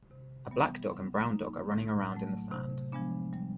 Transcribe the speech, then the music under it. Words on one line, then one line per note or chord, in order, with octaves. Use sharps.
A black dog and brown dog are running around in the sand.
C3
E3 G3 B3
F#3
A#3 D#4
A2
F#3 A3
C3
F3 G#3 B3 D4
G3